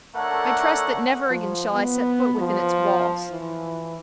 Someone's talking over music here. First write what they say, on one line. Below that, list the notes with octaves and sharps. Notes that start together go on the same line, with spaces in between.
I trust that never again shall I set foot within its walls.
A3 D4 A4 A#4 C#5 F#5
F3
B3
F3
E3